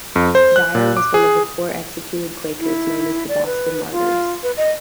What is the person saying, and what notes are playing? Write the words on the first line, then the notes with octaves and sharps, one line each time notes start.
Dyer was one of the four executed Quakers known as the Boston martyrs.
F2
C5
F#6
A#2
D6
G#4
E4
D5
B4
F4
B4
D#5